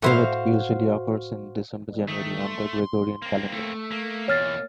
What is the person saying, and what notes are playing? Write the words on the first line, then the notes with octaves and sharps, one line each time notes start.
Tevet usually occurs in December-January on the Gregorian calendar.
A2 E4 F#4 C5 F5
D#3 A3
C6
A#3 C4
A3
A#3
E2 B2 A#3 C#5 F6 A6